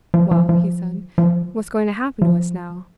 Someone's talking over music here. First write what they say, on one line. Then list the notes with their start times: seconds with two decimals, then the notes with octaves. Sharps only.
"Well," he said, "what's going to happen to us now?"
0.14 F3
0.31 F3
0.49 F3
1.18 F3
2.22 F3